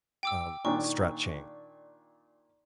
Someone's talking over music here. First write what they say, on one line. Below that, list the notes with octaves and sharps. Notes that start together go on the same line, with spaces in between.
um, stretching.
G5 D6 E6
A#2 D#3 D4 C#6